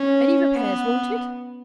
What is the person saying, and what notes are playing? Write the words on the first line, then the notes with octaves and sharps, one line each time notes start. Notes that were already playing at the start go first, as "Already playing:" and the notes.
Any repairs wanted?'
Already playing: C#4
B3